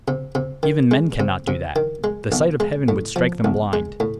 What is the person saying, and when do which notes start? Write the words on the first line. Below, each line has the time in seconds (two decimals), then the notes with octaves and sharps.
Even men cannot do that; the sight of heaven would strike them blind.
0.08 C3
0.35 C3
0.63 D#3
0.91 G#3
1.20 C3
1.48 C3
1.76 D#3
2.04 G#3
2.32 B1
2.60 G#3
2.88 A2
3.16 F3
3.44 B1
3.73 G#3
4.00 A2